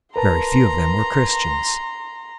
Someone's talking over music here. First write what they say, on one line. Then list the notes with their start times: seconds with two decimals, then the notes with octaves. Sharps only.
Very few of them were Christians.
0.16 A#4 B4 A5 A#5 C6